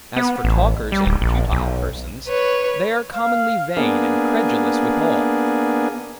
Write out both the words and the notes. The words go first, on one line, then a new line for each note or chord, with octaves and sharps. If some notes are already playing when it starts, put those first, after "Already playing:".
As for talkers and futile persons, they are commonly vain and credulous withal.
B3
A1
G3
D1
A#1
B1
B4 C#5
F5
A#3 B3 D4 G#4